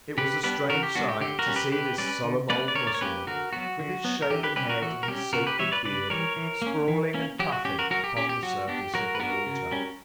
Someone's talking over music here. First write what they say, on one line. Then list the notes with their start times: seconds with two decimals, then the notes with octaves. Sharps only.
It was a strange sight to see this solemn old Mussulman, with his shaven head and his sacred beard, sprawling and puffing upon the surface of the water.
0.18 C#3 G4 B4
0.43 G3 B3 D4 G4 B4
0.69 C#3 F#4 A#4
0.83 G4
0.95 G3 B3 D4 F#4
1.09 G4
1.21 D3 G4
1.39 F#4 A#4
1.46 G3 C#4
1.56 G4 B4
1.72 D3 G4 B4
1.98 G3 C#4 B4 D5
2.24 D3
2.50 A#3 C#4 B4 D5
2.68 D5
2.75 D3 A#4 C#5
2.87 D5
2.95 C#5
3.01 A#3 C#4 G4 B4
3.27 D3 F#4 A#4
3.53 F#3 B3 F#4
3.79 D3
4.04 F#3 B3
4.22 A#4
4.30 E3 G4
4.43 G4 B4
4.56 G3 C#4 G4 B4
4.69 F#4 A#4
4.82 E3 F#4
5.03 A#4
5.08 G3 C#4 G4
5.33 C#3 F#4 A#4
5.47 G4 B4
5.59 E3 G3 C#5 E5
5.72 B4 D5
5.85 C#3 B4 D5
6.10 E3 G3 A#4 C#5
6.36 E3
6.62 A#3 C#4
6.88 E3
7.14 A#3 C#4
7.40 F#3 G4
7.52 F#4
7.65 C#4 G4
7.79 F#4 A#4
7.90 F#3 F#4 A#4
8.04 G4
8.17 C#4 G4
8.29 G4
8.43 F#3 F#4
8.68 B3 D4 G4
8.94 F#3 F#4 A#4
9.15 B4
9.20 B3 D4 F#4 A#4
9.46 C#3
9.71 G3 C#4